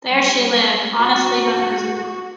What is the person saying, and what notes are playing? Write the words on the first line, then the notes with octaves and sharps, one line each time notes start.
There she lived honestly but miserably.
G3
F#4